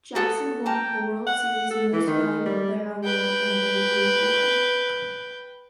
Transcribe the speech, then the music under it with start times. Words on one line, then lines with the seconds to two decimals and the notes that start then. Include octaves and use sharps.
Jackson won the World Series Most Valuable Player Award and Babe Ruth Award.
0.15 F#4 A4 D#6
0.66 G5 A5 A#5
1.27 F#5
1.70 A4
1.93 E3
2.07 D#3
2.46 G3
3.04 B4 G5